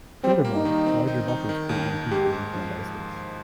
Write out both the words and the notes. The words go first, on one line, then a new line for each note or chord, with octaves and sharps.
Furthermore, larger buffers create more heat and use more die space.
G3 C4
A#3
D#4
D#3
C4
D#4
D#4
D#3
D#2
D#2
G#2 G4
G#2
F3